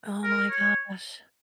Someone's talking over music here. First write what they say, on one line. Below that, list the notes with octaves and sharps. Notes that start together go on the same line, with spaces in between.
Oh my gosh.
A#4
C#5